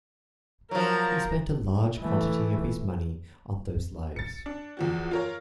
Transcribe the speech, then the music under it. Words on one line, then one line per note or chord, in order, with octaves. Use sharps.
He spent a large quantity of his money on those lives.
F3 F#3 A#4
E3 A3
A6 C#7
D4
E2 F3 F#4
F4 A#4 C#5